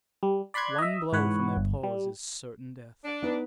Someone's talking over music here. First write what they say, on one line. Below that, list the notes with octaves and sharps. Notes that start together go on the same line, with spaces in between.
One blow from their paws is certain death.
G3
D5 B5 C6 F#6 G#6
D#5 E5
G#2 E3 B4 C#5 F#5
G1
G3
D4
B3 D#4 B4